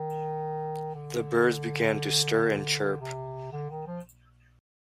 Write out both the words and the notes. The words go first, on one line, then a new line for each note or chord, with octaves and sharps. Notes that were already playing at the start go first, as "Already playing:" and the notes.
The birds began to stir and chirp.
Already playing: D#3
D3
C3
D3
D#3
F3